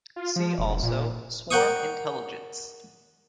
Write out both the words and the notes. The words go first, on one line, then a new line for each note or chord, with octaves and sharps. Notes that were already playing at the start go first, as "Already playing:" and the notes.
See also swarm intelligence.
F4
F3
E1
A#2
A#4 F#5 G5 C#6 D#6